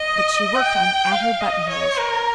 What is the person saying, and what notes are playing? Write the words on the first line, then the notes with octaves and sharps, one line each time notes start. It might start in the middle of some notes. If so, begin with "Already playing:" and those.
But she worked on at her buttonholes.
Already playing: D#5
G5
F5
D#5
C#5
A#4